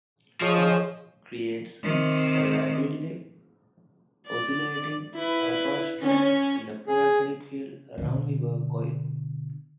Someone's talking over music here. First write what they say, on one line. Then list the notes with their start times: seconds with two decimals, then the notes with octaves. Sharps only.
This creates a rapidly oscillating, ultrastrong electromagnetic field around the work coil.
0.42 F3 G#4 C#5 D#5
1.83 C3 D#3
4.27 D5
5.15 E4 B4
6.02 C#4 C#5
6.87 G#4
7.98 B2 D3